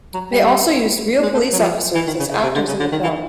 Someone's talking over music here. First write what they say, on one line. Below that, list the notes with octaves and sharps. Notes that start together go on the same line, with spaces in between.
They also used real police officers as actors in the film.
F#3
G3
G#3
A3
F#3
F3
E3
D#3
C#3
C#3
C3
D3
C#3
D3
D#3
E3